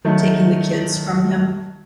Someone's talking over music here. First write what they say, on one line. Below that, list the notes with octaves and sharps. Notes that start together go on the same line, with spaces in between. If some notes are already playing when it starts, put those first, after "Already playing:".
taking the kids from him.
D#3 F#3 A3